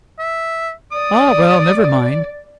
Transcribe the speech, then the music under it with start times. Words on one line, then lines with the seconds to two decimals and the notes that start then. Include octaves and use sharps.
Ah, well, never mind.
0.19 E5
0.92 D5 D#6